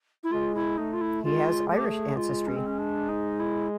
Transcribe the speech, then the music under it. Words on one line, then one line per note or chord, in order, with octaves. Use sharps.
He has Irish ancestry.
E4
G#3 F4
E4
A3 D#4
F4
E4
G#3 F4
A3 G#4
G4
G#4
G#3 F4
C#4
C4
C#4
D4
D#4
E4